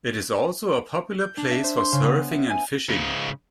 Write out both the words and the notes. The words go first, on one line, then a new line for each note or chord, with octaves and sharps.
It is also a popular place for surfing and fishing.
G6
D4
E5
C5
C6
C#3
B3
E5
G#5
G#2 C#3